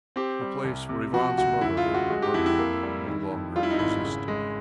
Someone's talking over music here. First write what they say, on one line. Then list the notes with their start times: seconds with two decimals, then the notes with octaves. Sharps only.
The place where Ivan's mother had been working no longer existed.
0.16 C4 G4
0.41 G3
0.65 C2
0.89 C3
1.13 F3 F#4
1.38 D2 F#4
1.61 F#2 E4
1.77 F4
1.85 G#3
1.94 F#4
2.10 G#3 F#4
2.22 G4
2.34 F2 E4
2.46 E4
2.59 A#3
2.83 G3
3.06 D#3
3.31 F2
3.56 G3 F4
3.63 E4
3.71 D#4
3.79 G#1 E4
4.04 C#3
4.28 G#3